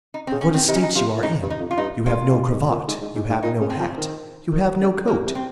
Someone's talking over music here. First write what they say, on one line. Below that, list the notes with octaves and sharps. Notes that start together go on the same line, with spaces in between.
And what a state you are in! You have no cravat; you have no hat; you have no coat!
D#4
C4
C#3
C#4
D#3
C4
C3 D#4
C#4
D#4
C3 F4
A#2
G#2 D#4
G2
D#4
F2
F4
G2 D#4
G2 F4
G#2
G#2
A#2
G#2
G#2
G#2
G#2
A#2 D#4
C#3
C4
F3
D#3
D#3
C#3
C3 A#3
C3
C4